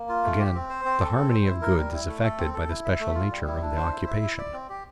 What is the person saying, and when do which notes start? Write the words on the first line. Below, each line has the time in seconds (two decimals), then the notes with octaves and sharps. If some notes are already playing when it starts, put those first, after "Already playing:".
Again, the harmony of goods is affected by the special nature of the occupation.
Already playing: A#3
0.09 F4
0.24 A3
0.39 G4
0.55 C4
0.70 C5
0.85 C4
1.00 A4
1.16 C4
1.31 C5
1.46 E4
1.62 A#4
1.77 G3
1.93 E4
2.08 A3
2.23 A4
2.38 C4
2.54 A4
2.69 E4
2.85 E5
3.00 A3
3.15 F4
3.31 G3
3.47 E4
3.61 D4
3.77 C5
3.92 E4
4.07 E5
4.22 E4
4.38 D5
4.53 C4
4.69 G4